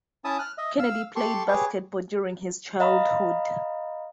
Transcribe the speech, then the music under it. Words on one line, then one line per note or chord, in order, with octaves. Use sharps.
Kennedy played basketball during his childhood.
C#4 E4 E5 A5 D#6
F6 F#6
D#5 E5
F5 E6
G4 A4 C6 C#6
G4 G#4 B4 C#5
D#5 F5 A#5 B5